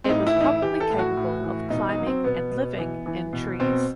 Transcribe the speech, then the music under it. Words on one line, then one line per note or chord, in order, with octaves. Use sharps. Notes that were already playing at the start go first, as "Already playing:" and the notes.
It was probably capable of climbing and living in trees.
C4
A2 D#4
E4
E3
D#4
E4
E3 G4
A4
A2
F#4
A2
E3
B2 D#4
D#4
F#3
C4
B2 B3
B2
E3
E3
B2
B2 C4